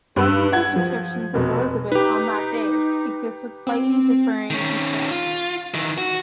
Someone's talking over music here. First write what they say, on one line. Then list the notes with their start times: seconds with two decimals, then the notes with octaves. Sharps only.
Dozens of descriptions of Elizabeth on that day exist with slightly differing details.
0.16 G2 B4 E6
0.52 F#5 G#6
0.76 F3
1.34 F1 B2
1.92 D#4 G4 B4
3.67 C4
4.50 D#3 C#4
5.11 F4
5.74 D#3 E3
5.98 F#4